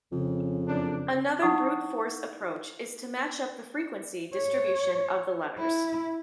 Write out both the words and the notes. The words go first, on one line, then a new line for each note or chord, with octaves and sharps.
Another brute force approach is to match up the frequency distribution of the letters.
F2 C#3
F#2 A2 D4
D#4 E4 F#5 C#6 D#6
C#5
E4